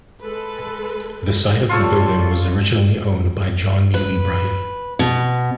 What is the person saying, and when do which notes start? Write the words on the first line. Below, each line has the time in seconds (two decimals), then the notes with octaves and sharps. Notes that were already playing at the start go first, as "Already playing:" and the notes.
The site of the building was originally owned by John Neely Bryan.
0.21 G#3 A4 B4
1.69 G3 F4 A4 C#5
3.94 B4
4.99 B2